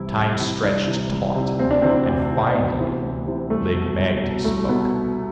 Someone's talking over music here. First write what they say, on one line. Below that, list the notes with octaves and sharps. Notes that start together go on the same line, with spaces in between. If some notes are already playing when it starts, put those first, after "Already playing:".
Time stretched taut, and finally Lig-magte spoke.
Already playing: C2 C3 E3 E4
C2
C3 E3
C2 D4
C3 E3
C2
C3 E3
D2 C4
D4
C3 E3 C4
D2
C3 E3
D2 B3
C3 E3
D2
C3 E3
C2 A3
B2
C2
B2
C2 A3
B2 B3